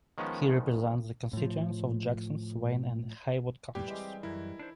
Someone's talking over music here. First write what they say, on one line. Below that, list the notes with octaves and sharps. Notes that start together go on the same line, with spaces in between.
He represents the constituents of Jackson, Swain and Haywood counties.
D#3 F3 G#3 B3 C#4
A2 F3
F2 A2 G3 G4 B4
E3 G#3 C4
F#2 E3 E4 A#4
D4 D#4 C5